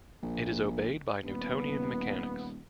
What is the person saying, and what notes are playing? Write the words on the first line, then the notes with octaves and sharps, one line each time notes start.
It is obeyed by Newtonian mechanics.
A#1
D#1 B3